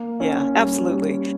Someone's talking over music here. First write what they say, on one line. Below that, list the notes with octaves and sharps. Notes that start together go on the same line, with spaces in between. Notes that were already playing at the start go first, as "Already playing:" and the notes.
Yeah, absolutely.
Already playing: A#3
C#4
G3
G3